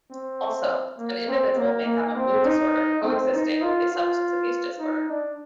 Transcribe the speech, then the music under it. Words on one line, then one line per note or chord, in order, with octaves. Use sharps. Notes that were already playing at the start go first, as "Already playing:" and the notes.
Also, an individual may have a mood disorder coexisting with a substance abuse disorder.
C4
A#3
C4
A#3
A#3
C4
D#4
C4
D#4
F4
F4
D#4
D4